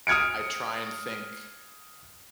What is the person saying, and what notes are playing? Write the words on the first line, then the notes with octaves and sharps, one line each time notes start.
I try and think,
D#6 F6 G#6 C#7 D7